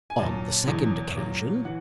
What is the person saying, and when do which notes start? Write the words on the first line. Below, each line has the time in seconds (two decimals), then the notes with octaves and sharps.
"On the second occasion."
0.10 G#5
0.18 A#2 F#3 A5
0.67 E2 B2 F#3
1.16 A#2 F#3
1.65 E3 F#5